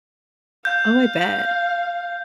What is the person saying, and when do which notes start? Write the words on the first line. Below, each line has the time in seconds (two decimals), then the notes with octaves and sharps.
Oh, I bet.
0.65 F5 G6